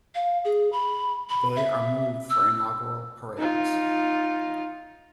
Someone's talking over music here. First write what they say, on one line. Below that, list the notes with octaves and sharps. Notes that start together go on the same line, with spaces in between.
They are moved for inaugural parades.
F5
G#4
B5
B5
E5
E6
D#4 F4